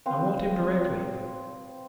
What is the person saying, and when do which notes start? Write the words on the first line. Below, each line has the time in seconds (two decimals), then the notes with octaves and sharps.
I want him directly.
0.06 C4 B4 C5 F5